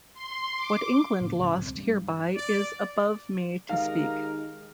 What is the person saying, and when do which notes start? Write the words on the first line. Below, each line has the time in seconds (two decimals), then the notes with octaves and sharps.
What England lost hereby is above me to speak.
0.14 C6
0.57 D6
1.21 A2 C#3 E3 A#3
1.38 C#2 G#2 C#3
1.60 B1 E2 C4
1.77 G2 G3
2.36 D5
3.69 D#3 G#3 D#4 G4 A#4 F5